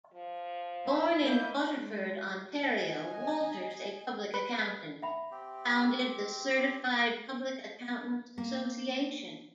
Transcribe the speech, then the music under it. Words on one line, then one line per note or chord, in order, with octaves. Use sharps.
Born in Waterford, Ontario, Walters, a public accountant, founded the Certified Public Accountants' Association.
F3
E4
A#3 D#5 G6
G#3
D#5 G#5
B4
E5 F#5 B5
C4 G4
A#3